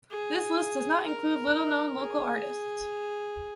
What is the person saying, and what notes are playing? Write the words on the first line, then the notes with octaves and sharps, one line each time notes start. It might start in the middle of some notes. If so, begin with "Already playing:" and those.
This list does not include little-known local artists.
G#4
A#4
G#4